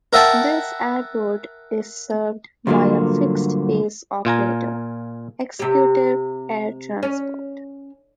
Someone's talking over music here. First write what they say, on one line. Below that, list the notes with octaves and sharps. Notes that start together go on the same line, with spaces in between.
The airport is served by a fixed-base operator, "Executive Air Transport".
A#4 E5 F#5 G5 A5
D2 G2 A#2 D3 F#3 A#3
A#2 F4 G#5 A#5
C3 G4
C#4